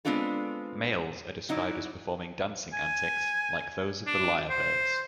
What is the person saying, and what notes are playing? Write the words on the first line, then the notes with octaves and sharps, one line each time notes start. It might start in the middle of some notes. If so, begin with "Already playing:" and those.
Males are described as performing dancing antics like those of the lyrebirds.
G#3 B3 C4 D4 F4 A4
F#3 D#4 E4 D5
G#5
D4
C5